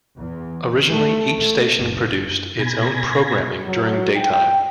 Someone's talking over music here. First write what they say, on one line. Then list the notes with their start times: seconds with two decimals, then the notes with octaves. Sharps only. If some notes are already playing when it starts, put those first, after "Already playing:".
Originally each station produced its own programming during daytime.
0.17 E2
0.89 A3
1.74 F#1
2.59 B2 G#5 B5 G#6 A#6
3.65 F#3
4.17 G5